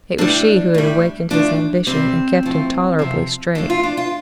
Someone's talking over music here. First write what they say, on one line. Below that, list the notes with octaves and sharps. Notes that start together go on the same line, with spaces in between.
It was she who had awakened his ambition and kept him tolerably straight.
A2 G3 D4
A2 G3
A2 F3 D4
C3 G3 C4
A2 F3
C3 F3
A2 F3 D4
F4
D4
F4